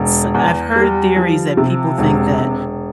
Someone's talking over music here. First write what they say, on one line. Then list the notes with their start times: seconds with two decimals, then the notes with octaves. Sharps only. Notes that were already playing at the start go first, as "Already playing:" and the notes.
s I've heard theories that people think that
Already playing: E1
0.34 E2
0.76 G3
1.16 F3
1.57 C3
1.98 E1
2.39 E1